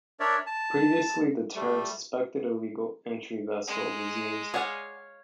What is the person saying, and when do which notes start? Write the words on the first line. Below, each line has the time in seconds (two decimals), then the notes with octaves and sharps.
Previously the term 'Suspected "Illegal" Entry Vessel' was used.
0.20 D4 A#4 C#5 D5 E5
0.47 A5
1.56 G3 A3
3.67 G#3
4.54 G#4 C#5 D5 F5 F#5